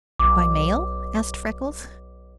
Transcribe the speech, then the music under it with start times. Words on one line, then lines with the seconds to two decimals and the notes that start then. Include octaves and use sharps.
"By mail?" asked Freckles.
0.19 B1 D6